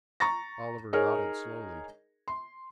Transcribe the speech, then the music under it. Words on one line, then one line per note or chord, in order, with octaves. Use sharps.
Oliver nodded slowly.
A#5 C#6 A6 A#6
D#4 G#4 A#4 C#5
C6